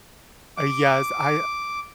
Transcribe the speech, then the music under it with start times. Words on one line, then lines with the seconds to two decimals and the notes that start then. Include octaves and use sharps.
Uh, yes, I
0.57 D6